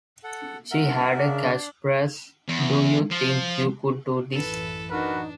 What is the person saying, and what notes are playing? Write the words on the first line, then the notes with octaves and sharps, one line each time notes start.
She had a catchphrase: Do you think you could do this?
A4 F#5
A#4 E5 F#5
C#3 D4
E2
F3
A1 F#2 E3 A4 B4
D4 D#4 F#4 A#4 B4